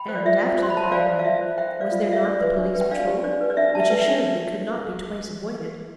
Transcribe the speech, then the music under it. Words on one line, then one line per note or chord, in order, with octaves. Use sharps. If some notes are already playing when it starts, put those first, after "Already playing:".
And after the quagmire, was there not the police patrol, which assuredly could not be twice avoided?
Already playing: G5 B5
C5
D5
F4 E5
F4
C5 C6
B5
C5 A5
G5
C5 D5 F5
C5
F5
F4 E5
C5
C5 E5 G5
C5
D5 F5
F4
F5
F4 E5
D4 D5
E5
B4
D4
B4
G5
D4 D5 F5
G4
D4 D5
B4
D5
D4 E5
D4 A5
E5 G5
B4
E5 G5
D4